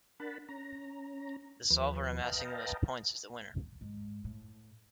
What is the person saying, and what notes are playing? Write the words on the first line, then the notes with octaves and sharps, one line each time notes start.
The solver amassing the most points is the winner.
D4 A#4 F#5 A5 B5
C#4 A#5
D#2 F3 B4
B4 D#5 F5 G5 A5 A#5
G#2
A2